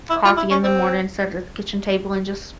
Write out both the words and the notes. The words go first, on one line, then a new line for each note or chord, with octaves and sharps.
coffee in the morning, instead of the kitchen table and just
E4
F4
E4
C#4
C4